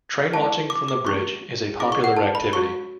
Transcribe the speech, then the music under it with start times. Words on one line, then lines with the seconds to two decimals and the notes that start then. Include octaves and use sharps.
Trainwatching from the bridge is a popular activity.
0.34 E3 G#3 C#4 E4 A4 A5
0.70 D6
0.88 D6
1.07 E3 A3 C#4 C#6
1.80 C#4 E4 G#4 C#5 D6
1.92 C#6
2.04 F#5
2.17 A5
2.35 B5
2.53 G#3 C#4 F#4 C#5 C#6